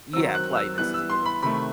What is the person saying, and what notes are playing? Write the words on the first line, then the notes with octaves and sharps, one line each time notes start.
Yeah. Politeness is a good one.
D#3 F#3 C4 E6
F#6
E6
E3 G3 B3 F#6
E6
C6
B5
C3 D#3 A3 B5